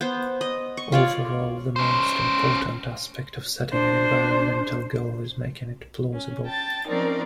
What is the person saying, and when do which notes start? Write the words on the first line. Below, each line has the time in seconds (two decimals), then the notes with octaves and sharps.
Overall, the most important aspect of setting an environmental goal is making it plausible.
0.01 B3 C5
0.41 D#5
0.77 C#6
0.92 F4 C#5 D5
1.76 C#4 C5
3.73 D4 C5
6.13 C#4
6.46 G5 A5 A6
6.88 F3 C4 C#4 D#4 A#4 D5